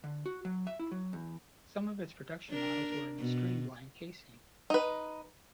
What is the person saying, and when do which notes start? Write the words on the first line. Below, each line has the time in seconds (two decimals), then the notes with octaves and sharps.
Some of its production models were in a streamlined casing.
0.04 D3
0.26 F#4
0.45 F#3
0.67 E5
0.80 E4
0.92 F#3
1.13 E2
2.49 D4 A#4
3.19 B2
4.70 D#4 B4